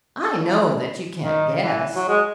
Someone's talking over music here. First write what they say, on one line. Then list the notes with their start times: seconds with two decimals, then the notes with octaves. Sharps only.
"I know that you can't guess."
0.43 E3
1.19 D#3
1.57 E3
1.95 F#3
2.08 G#3